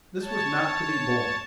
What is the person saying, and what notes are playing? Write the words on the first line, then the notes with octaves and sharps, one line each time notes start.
This was not to be borne.
C#5 A5